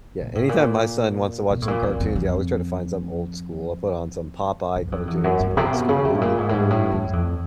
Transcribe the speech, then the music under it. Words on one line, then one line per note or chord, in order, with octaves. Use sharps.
Yeah, anytime my son wants to watch some cartoons, yeah, I always try to find something old school. I put on some Popeye cartoons, some old school Looney Tunes,
A#2
A2
A#2
B2
A2
A#2
F2
F2
F2
F#2
F2
E2
F#2
G2
C3
B2
C#3
C3
A2
A#2
G#2
A2
G#2
A2
F#2
F2